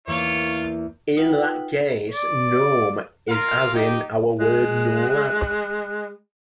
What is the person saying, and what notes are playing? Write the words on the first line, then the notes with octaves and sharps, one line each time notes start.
In that case, -nome is as in our word nomad.
E2 A#3 F4 C#5
D#4 F4 B4 F#5 G5
D5
F4 A#4 F5
D#4 G4
G#3 F#6